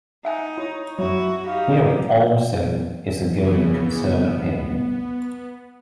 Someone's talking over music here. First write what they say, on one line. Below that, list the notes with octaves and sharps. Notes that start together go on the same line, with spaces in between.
Here, also, is the going concern opinion.
D#4 E5 F#5 G#5
E4 C#5
F#2 F#3 E4 F#4
D#4 G4 F5
C#3 E3 B3
B3